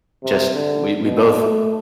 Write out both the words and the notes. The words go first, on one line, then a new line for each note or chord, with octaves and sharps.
just we we both
C3
D3
B2
A3